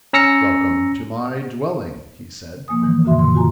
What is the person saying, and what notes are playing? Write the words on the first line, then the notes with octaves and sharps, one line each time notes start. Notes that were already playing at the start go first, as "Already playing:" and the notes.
"Welcome to my dwelling," he said.
C#4 A#5 E6 A#6 C#7
B2 F3 A#3 G#5 D#6
G#2 B2 D#3 E3 G3
F#2 A#2 D3 F#4 E5 C6
C6
F4 F#4 G#5 A#5